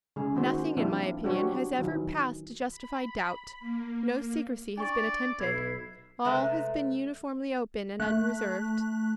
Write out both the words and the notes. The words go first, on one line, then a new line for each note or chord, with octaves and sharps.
Nothing in my opinion has ever passed to justify doubt; no secrecy has been attempted; all has been uniformly open and unreserved.
C#3 G#3 G#4
D#3 G#3 A#3 F#4 C5
F3 A#3 C4 D4 E4 F4
F#3 D4 F#4 G4 C5 C#5
D#3 E3 F#3
B5
A#3
D4 D5 C#6
B1 E4 B4 G#6 C7
C3 G#3 A3 B4 E5 A#5
A3 F#6